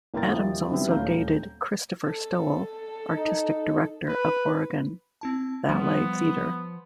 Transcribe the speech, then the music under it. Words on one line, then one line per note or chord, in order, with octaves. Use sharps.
Adams also dated Christopher Stowell, artistic director of Oregon Ballet Theatre.
G1 A#3 E4 G5 A#5 A6
D#2 E3 F3 G3
D3 F#3 G3 B3 C4 E4
D#1 D2 C#5 F5 A#5 G6
A4
D#4
B4
C4 E4 A5
F3 G3 B3